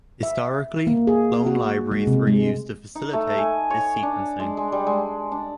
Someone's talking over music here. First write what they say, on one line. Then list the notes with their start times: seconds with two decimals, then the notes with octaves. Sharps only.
Historically, clone libraries were used to facilitate this sequencing.
0.23 E5
0.87 A#3
1.07 G#4
1.47 F#4
1.92 G#3
2.07 C3
2.27 G#3
2.95 D#4
3.13 A3
3.38 G#5
3.70 C#5
4.03 D4
4.40 G#3
4.57 G#3
4.72 G3
4.87 G#3
5.32 D4